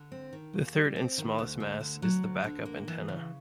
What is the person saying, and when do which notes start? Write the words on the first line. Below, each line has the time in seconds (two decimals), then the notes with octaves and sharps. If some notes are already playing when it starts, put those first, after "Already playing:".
The third and smallest mast is the backup antenna.
Already playing: D3
0.12 C4
0.33 D#3
0.53 D#2
0.75 G3
0.96 C4
1.18 D#3
1.39 D2
1.60 D3
1.81 D2
2.02 F#3
2.23 D2
2.44 D3
2.65 A#3
2.88 E3
3.08 C#3